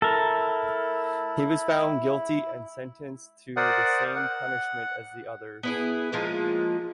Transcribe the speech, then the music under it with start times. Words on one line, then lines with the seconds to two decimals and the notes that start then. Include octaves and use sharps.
He was found guilty and sentenced to the same punishment as the others.
0.02 E4 A4 A#4
3.57 A#4 C5 D5 F#5 D#6
4.15 F#5
5.63 B3 E4 G#4
6.12 F3 G#3 A#3 F4